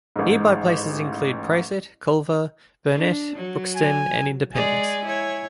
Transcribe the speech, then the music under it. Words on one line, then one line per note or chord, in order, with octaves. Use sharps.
Nearby places include Prosit, Culver, Burnett, Brookston, and Independence.
A1 G#2
D4
F#3
G#5
G#3 G#4 D5 G#5
E4 C#5